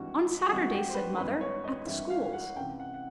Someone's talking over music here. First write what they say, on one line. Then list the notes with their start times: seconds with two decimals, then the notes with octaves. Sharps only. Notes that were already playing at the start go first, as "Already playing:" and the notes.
'On Saturday,' said mother, 'at the schools.
Already playing: G#1 G2 E3 G3 F#4
0.48 G#1 G2 E3 G3 F#4
0.72 G4
0.90 C5
0.95 B4
1.17 G#1 G2 E3 G3 B4
1.41 C#5
1.64 D#5
1.87 G#1 G2 E3 G3 E5
2.10 F5
2.33 F#5
2.56 C#2 C3 E3 G5
2.80 F#5
2.94 F#5